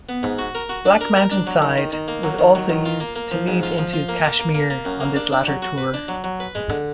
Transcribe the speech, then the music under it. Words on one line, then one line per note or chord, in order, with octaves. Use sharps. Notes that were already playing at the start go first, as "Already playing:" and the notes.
"Black Mountain Side" was also used to lead into "Kashmir" on this latter tour.
B3
G#2
F#4
A#4
F#4
D4
A#4
A#4
D4
F#3
D#3
D#3
D#3
A#3
F#3
D#3
F#3
D#3
F4
A#3
A#3
F3
G#2
F4
F3
F4
A#3
A#3
A#3
A#3
A#3
F#2
A#3
D4
D4
F#3
F#4
B4
D4
F#3
F#3
B4
G#3
D3